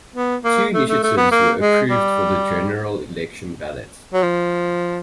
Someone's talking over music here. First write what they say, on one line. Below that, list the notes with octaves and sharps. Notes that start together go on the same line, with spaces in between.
Two initiatives were approved for the General Election ballot.
B3
A#3
A3
A3
A3
B3
A#3
G#3
G3
F#3
F3